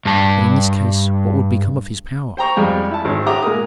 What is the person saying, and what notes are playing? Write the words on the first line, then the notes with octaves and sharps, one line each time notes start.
But in this case what would become of his power?
G2 A5
C5 G5 A#5 C#6
F2 G3 G#3
E4 A5
G#1 C#4
G4 E5 F#5 A#5 D6 D#6
A#2 G#3 A#4 D#6